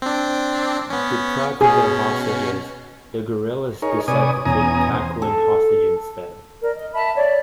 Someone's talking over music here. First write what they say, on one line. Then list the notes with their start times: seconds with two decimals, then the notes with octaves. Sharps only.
Deprived of their hostages, the guerrillas decide to take Tarquin hostage instead.
0.02 C4 D4
0.90 B3 C#4
1.61 B2 C#4 G#4
3.82 D#4 G#4 A#4 C#5
4.08 C3 B4 C#5 D5 G#5 D#6
4.46 E2 B2 C#4 G#5 A#5 D#6
4.94 C5
5.22 A4
6.62 A#4 D5
6.75 D#5
6.93 E5 A5 B5
7.16 C#5 D5